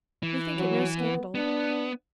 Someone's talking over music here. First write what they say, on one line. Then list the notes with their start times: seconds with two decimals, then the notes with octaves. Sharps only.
We think it no scandal.
0.23 E3
0.58 F#3
0.98 B3
1.35 B3 D4